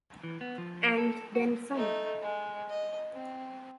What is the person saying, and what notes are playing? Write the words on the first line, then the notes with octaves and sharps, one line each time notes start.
And then some.
E3
B3
F3
A4
F#4
A3 D#4
G#3
D#5
C4